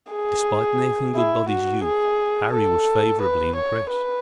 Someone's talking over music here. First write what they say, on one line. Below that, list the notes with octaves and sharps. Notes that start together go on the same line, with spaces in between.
Despite Nathan Goodbody's youth Harry was favorably impressed.
G#4
E4
F#4
G#4
A4
B4
C#5
B4